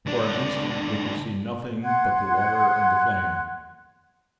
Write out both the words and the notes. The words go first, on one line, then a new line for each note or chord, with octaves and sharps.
For an instant we could see nothing but the water and the flame.
C#2 D4
F#5 C6 F#6 G#6